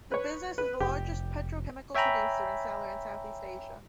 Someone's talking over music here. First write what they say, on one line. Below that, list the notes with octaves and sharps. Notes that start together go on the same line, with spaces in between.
The business is the largest petrochemical producer and seller in South East Asia.
B4 C#5
B4
F1 G4
C#5 E5 G5 G#5 A#5 B5